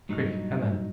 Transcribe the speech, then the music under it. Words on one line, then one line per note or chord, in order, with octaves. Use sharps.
Quick, Ellen!'
G2 A#2 F#3 D#4